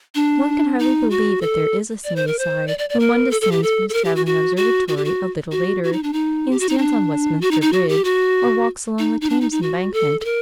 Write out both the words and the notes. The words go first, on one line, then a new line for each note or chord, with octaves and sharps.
One can hardly believe that there is a seamy side when one descends from his travelling observatory a little later, and stands on Westminster Bridge, or walks along the Thames Embankment.
D4
D#4
F#4
A4
D5
C5
A#4
C5
D5
D5
D5
A#4
A4
A4
G4
A4
A4
A#4
G4
F#4
F#4
F#4
F#4
G4
F#4
F#4
F#4
D#4
D4
D#4
G4
F#4
D#4
D4
F#4
D#4
D#4
F#4
G4
F#4
D#4
D#4
D4
D#4
D#4
F#4
A4
A4
A#4